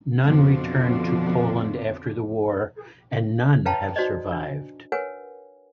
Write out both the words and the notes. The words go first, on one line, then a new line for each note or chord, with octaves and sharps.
None returned to Poland after the war, and none have survived.
F2 B2 D3 F3 C4 D4
B4 C#5 F5 G5 A5 A#5
D#4 F#4 C5 D5 D#5
D4
A#4 B4 C#5 F#5 G#5